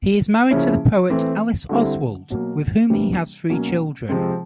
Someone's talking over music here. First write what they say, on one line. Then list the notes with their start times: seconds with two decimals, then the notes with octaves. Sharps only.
He is married to the poet Alice Oswald, with whom he has three children.
0.51 C#3 F3 A#3 C#4 E4
1.10 E3 A3 C4
1.69 D3 G3 C4 E4
2.30 B2 F#3 A#3
2.90 C3 E3 G3 A#3 D4
3.50 B2 F#3 A#3 C#4
4.09 C3 F3 G#3 C4